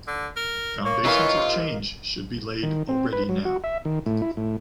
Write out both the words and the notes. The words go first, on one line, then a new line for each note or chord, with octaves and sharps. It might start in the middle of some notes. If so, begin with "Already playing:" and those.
Foundations of change should be laid already now.
D3
A#4
A#3 C#5
E3 A#3 D#4 F4
C3 C6
D#3
C4
B4
F#3
F#4
E5
D#3
A2
E4
A2